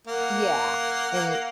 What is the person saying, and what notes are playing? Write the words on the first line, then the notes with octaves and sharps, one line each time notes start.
Yeah, and,
A#3 F#5